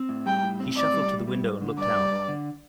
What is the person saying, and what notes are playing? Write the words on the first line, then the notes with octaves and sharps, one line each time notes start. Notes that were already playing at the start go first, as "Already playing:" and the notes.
He shuffled to the window and looked out.
Already playing: C4
A2
G3 G5
A2
C4
A2 D5
G3
A2
G3
G2
D3
G2 D5
G3
G2
D3